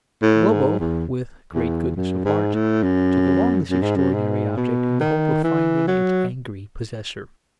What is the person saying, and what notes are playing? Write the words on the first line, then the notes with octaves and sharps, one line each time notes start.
Bobo, with great goodness of heart, took along this extraordinary object, in the hope of finding its angry possessor.
A2
G#2
E2
E2
F#2
G#2
A2
F#2
F#2
G#2
F#2
G#2
B2
D#3
E3
F#3